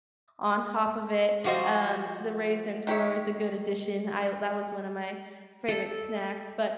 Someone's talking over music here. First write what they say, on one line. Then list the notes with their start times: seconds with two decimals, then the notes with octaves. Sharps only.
on top of it, um, the raisins were always a good addition, l that was one of my favorite snacks, but,
1.44 F3 G3 F#4 C5 D#5
2.87 D#3 G4 C#5 E5
5.68 A4